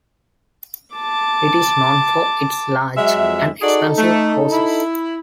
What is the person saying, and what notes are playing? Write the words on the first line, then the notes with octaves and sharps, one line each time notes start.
It is known for its large and expensive houses.
A5 D6
F#3 G#3 E5
F2
D#4 F#4 G#4 A4 D5
A3
E4